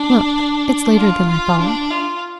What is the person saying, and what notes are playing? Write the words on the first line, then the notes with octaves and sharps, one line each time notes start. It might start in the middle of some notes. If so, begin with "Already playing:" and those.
'Look! it's later than I thought.
Already playing: D4
F4
F4
D4
F4